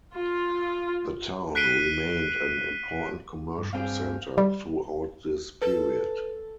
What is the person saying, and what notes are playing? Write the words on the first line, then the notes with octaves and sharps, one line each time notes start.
The town remained an important commercial centre throughout this period.
F4
F#6 B6 C7 D7 D#7 G7
G2
G2 C4 G#4 F5 G5
G3
A4 B4